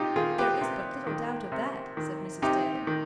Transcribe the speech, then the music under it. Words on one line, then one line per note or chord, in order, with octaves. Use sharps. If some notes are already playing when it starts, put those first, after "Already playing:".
"There is but little doubt of that," said Mrs. Dale.
Already playing: C3 D#4 F4 G4
D#3 F4 G#4
G4 B4
C3
D#3
C3
D#3
C3 D#4 G4
D#3